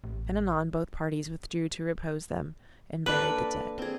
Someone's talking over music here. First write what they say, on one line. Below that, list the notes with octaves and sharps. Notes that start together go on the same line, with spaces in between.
Then anon both parties withdrew to repose them, and buried the dead.
A1
A#3 D4 A4 B4
C4 G#4